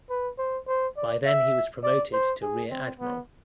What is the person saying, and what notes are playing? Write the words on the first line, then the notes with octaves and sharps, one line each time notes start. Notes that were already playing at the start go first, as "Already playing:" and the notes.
By then he was promoted to rear admiral.
B4
C5
C5
D5
E5
D5
C5
G#4
C4
B3